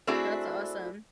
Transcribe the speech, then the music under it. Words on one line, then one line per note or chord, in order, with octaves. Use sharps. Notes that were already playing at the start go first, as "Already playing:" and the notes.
that's awesome.
A3 C4 D4 E4 F#4 G#4